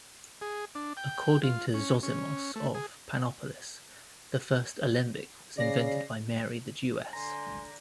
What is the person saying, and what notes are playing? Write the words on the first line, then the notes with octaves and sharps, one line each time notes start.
According to Zosimos of Panopolis, the first alembic was invented by Mary the Jewess.
G#4
D4
G5
F4
C#4
C#4
A3
G#4
C#3 D5 A#6 C7
D3 G#5 A#5 C6